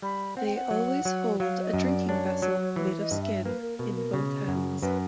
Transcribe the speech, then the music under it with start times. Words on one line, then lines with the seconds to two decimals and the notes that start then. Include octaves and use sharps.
They always hold a drinking vessel made of skin in both hands.
0.02 G3 B5
0.37 C4 F#5
0.46 G5
0.55 F#5
0.71 F#3
1.05 F#3
1.40 F#3 F5
1.63 D#5
1.74 F#2
1.85 D5
2.08 D4 C#5
2.42 F#3
2.76 E3 B4
3.00 D#5
3.11 G2
3.22 E5
3.45 A#3 B4
3.62 A#4
3.79 B2 A#4
3.96 A#4
4.13 C#3
4.48 F#2
4.82 F#2 B4